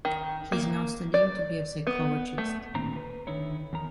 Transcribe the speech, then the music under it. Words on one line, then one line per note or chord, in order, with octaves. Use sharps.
He is now studying to be a psychologist.
D#3
A#3
D5
B3
A3
D#2 A#2 D3 C4 A#5
B4
D3 D#3 D#4 E4 C#5
E2 D#3 A#5